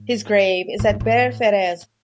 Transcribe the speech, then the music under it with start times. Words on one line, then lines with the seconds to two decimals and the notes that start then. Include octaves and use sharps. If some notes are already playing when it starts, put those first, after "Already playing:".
His grave is at Bere Ferrers.
Already playing: G#2
0.79 A2
0.90 G#2
1.00 A2